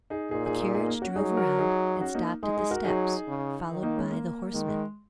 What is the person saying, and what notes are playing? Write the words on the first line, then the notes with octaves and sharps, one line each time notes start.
The carriage drove round, and stopped at the steps, followed by the horsemen.
D#4 G#4
A#2 D#4 G#4
D#4 G#4
D#4 G#4
D#4 G#4
A#3
C#4 F#4
F#3 D#4 G#4
F#4 A#4
D#4 G#4
C#4 F#4
A#3 D#4
G#3 D#4 G#4
D#4 G#4
F#4 A#4
F#3 D#4 G#4
C#3
D#3
A#3 D#4
G#3 C#4
A#3
D#3 G#3
G#3